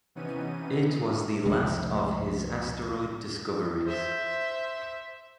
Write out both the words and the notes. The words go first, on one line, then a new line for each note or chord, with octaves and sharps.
It was the last of his asteroid discoveries.
C3 E3 B3 C#4 D#4 D#7
C2 F2 G#3 A3
C5 E5